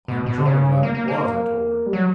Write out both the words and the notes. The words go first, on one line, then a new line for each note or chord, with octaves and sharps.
"I'm jolly glad it was!" I told her.
B2
B2
D3
C#3
A#3
A#3
A#3
G3
F#3